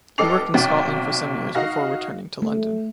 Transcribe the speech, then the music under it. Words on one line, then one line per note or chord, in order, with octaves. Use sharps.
He worked in Scotland for some years before returning to London.
F1 A4 D#5 D6 C7 F7
B1 C3 F#4 G5 A6
D#4 F#4 F5 A#6
A3